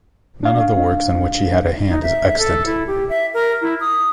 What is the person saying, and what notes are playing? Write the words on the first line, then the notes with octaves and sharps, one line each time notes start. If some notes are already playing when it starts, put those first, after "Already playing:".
None of the works in which he had a hand is extant.
D4 F5
D#4
E5
A4
E4
G4
E5
A#4
E4
D#6